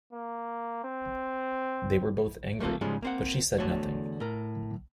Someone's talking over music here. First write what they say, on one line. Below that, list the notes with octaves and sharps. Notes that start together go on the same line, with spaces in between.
They were both angry, but she said nothing.
A#3
C4
A3 A#3 C4 F4 A4
G#2 C#3 F3 G3 G#3
A#3 C4 F#5
E2 D3 A3 F#4 C#5
A2 A#4